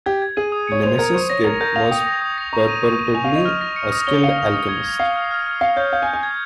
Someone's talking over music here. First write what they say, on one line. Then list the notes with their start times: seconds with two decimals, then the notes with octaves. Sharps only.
Nemesis Kid was purportedly a skilled alchemist.
0.06 G4 G#6
0.22 G#6
0.37 G#4 D#7
0.52 D#6
0.67 C#5 C#7
0.83 C5 F7
0.98 A#4 G#6
1.14 C5 C#6
1.30 C#5 A#6
1.44 A#4 F7
1.61 A#4 G6
1.76 F5 F7
1.91 G5 D#6
2.07 A#6
2.22 D#6
2.38 A#6
2.53 A#5 C#6
2.68 D#7
2.83 C#6
2.99 D#7
3.14 G#5 F7
3.24 F5
3.30 F7
3.36 D#5
3.45 F6
3.61 A#6
3.76 C#7
3.92 D#6
4.07 C#5 G7
4.23 F5 C#7
4.39 D#6
4.53 D#6
4.69 G#6
4.84 G#6
5.00 F5 C7
5.15 F6
5.31 F6
5.46 F6
5.61 F5 C#7
5.76 C#5 G6
5.93 F5 G6
6.02 G#5
6.08 G6
6.13 G#5
6.23 G#6